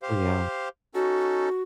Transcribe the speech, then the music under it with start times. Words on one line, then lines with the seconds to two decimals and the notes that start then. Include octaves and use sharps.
Oh, yeah.
0.02 G4 C5 F5
0.95 C#4 D#4 F#4 A4